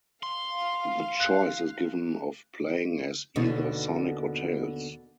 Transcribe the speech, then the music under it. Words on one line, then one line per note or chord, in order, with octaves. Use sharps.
The choice is given of playing as either Sonic or Tails.
F5 C6
F#6
D#2 B2 D3